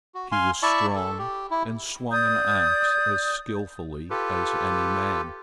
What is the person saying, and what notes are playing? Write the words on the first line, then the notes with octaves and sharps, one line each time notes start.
She was strong and swung an ax as skillfully as any man.
F#4
F5 G#5 C6
E4 D5 E5 A5 C#6
A4
G4
E4
D5 D#6 G6
F4 G4 A4 B4